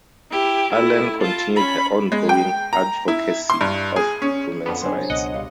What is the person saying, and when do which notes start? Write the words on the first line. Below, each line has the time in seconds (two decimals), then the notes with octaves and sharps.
Allen continued her ongoing advocacy of women's rights.
0.31 E4 G4
0.73 A3 E4
1.21 F4 A5
1.56 C#4 B5
2.12 G#3
2.29 G5
2.73 A#5
3.08 E4
3.50 C6
3.61 G2
3.96 G#4
4.22 C#4
4.66 F2 D3 B3
4.82 F#3 D4 G#4 C5 C6
5.10 C#2 B2 D#5 F#5
5.34 G3 F5